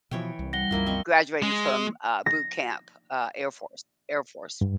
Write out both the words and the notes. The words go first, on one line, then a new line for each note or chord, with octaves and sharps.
graduating from, uh, boot camp, uh, Air Force Air Force
B2 E3 F3 C#5 G5
C2
G3 F#5 A#6 G7
C2 F#2 F3 A#3 E4
C4 D#5 C#6
G#3
A#6
G2